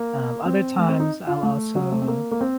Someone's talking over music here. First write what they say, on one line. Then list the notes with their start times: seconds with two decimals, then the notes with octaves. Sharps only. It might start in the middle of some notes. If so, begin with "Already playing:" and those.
Um, other times I'll also,
Already playing: A#3
0.45 C4
0.78 A3
0.89 C4
1.00 D#4
1.27 F4
1.43 A3
1.76 F#3
1.92 A3
2.02 C4
2.08 A#3
2.31 A#3
2.41 C4